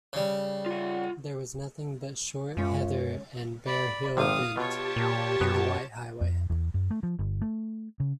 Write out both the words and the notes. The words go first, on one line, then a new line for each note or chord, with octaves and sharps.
There was nothing but short heather, and bare hill bent, and the white highway.
C#3 G3
F4 F#5
F#2 G#3 C#4 F4 C#5
D5 B5
G#1 F2 C3 F5 D#6
B2 F4 G4 C#5 A5
A#2
F#2 B3
F2
E2
F#2
A3
F3
G1
A3
C#3